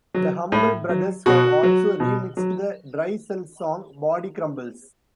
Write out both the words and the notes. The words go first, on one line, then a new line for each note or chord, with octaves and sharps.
The Humble Brothers have also remixed the Dry Cell song Body Crumbles.
F#3
A2
F#3
B2 F#4
F#3
B2
F#3